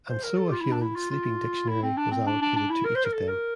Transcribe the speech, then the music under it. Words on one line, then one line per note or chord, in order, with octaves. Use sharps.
And so a human "sleeping dictionary" was allocated to each of them.
C5
A#4
A4
G4
F4
E4
D4
E4
F4
F4
E4
C4
D4
C4
D4
D4
D4
E4
A#4
C5
A#4
A4
A#4